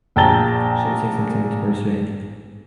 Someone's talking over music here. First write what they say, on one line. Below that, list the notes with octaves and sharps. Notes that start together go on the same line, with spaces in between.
She would take some time to persuade.
A#1 G5 A5 A#5 A6 G7